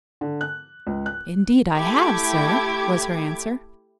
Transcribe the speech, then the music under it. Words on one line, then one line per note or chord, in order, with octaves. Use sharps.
"Indeed I have, sir," was her answer.
D3
F#6
C#2
F#6
A3 E4 G4 D6 G#6